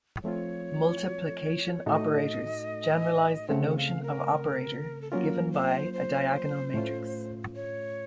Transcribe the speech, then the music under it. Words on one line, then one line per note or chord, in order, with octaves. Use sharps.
Multiplication operators generalize the notion of operator given by a diagonal matrix.
F3 A3 C4 F4 C#5
A2 A3 D#4 F#4 A4 D#5
C#3 A3 C4 F#5
F#5
F5
A#4
A4
F#3 A#3 C#4 F4 A#4
C5
C5
A2 A3 C#4 F4
C#5